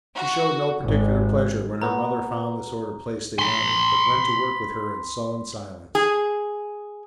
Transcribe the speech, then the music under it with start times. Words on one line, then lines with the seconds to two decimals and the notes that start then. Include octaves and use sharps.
She showed no particular pleasure when her mother found the sort of place they wanted, but went to work with her in sullen silence.
0.17 F#4
0.80 G#1
1.82 A#2 B3 F#4 A#5
3.39 B5 C6
5.95 G#4